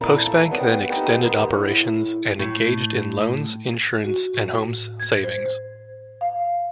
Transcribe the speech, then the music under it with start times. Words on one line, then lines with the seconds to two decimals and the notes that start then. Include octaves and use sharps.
Postbank then extended operations, and engaged in loans, insurance and homes savings.
0.01 A#2 F3 D4 E4 A4 A#5
0.51 D#3 F#3 G3 B3
0.89 A3 B3 D#4 G4 A4 F#5
1.20 D#3 G#3 A#3 B3
1.49 A2
2.39 A2
4.05 F#4
4.34 A2
5.00 G#6
5.24 C5
6.21 F5